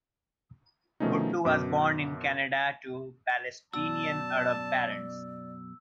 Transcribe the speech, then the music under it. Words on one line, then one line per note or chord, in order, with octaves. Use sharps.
Buttu was born in Canada to Palestinian Arab parents.
B2 D#3 F3 A3 C#4 D#4
F#2 B2 D6
F#2 B2 F#4 D5 A5 E6